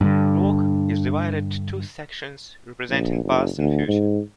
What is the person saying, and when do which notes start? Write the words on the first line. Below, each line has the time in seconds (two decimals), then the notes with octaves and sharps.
The work is divided two sections representing past and future.
0.01 G2 D3
2.90 A#1
3.25 F#1
3.58 D2
3.88 G#2